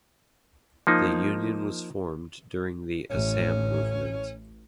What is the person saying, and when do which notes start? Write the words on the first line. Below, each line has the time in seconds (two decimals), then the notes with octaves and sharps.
The union was formed during the Assam movement.
0.87 F3 A#3 D#4
3.11 A1 C#4